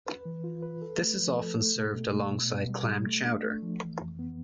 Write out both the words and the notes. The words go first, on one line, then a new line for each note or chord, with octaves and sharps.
This is often served alongside clam chowder.
B4
E3
F4
B4
A4
A3
F3
A4
A3
B2
B2
A3
B2
B2
G3
G3
A3
D4
A3
F3
E3
F2
B3